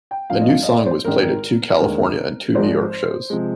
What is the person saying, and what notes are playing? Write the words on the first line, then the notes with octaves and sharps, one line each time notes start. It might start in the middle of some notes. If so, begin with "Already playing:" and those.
A new song was played at two California and two New York shows.
G5
G#1 G2 F3 F5
D#5
F5
D#5
D5
C5
G#1 G#2 D#3 G#3 A#4
D#2 D3 G#3
G#1 G#2 F3 G#3 C5
C3 F3 G#3